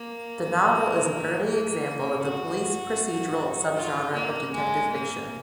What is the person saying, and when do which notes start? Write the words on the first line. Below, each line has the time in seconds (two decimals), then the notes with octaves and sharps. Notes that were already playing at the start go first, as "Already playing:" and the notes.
The novel is an early example of the police procedural subgenre of detective fiction.
Already playing: A#3
1.45 A#3
2.22 F#4
3.76 F4
4.14 A#3
4.52 G#3
4.91 A#3